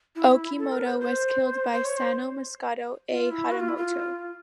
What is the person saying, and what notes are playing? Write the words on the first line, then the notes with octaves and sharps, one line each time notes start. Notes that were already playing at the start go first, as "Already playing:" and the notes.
Okitomo was killed by Sano Masakoto, a "hatamoto".
E4
A4
A#4
C5
C5
C5
C#5
C5
F4
E4
F#4
F4
E4
F4